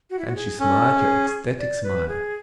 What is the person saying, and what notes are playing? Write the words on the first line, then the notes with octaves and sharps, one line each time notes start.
And she smiled her ecstatic smile.
F#4
E4
F#4
G#4
C#4 A4
G#4
D5
B4
G#4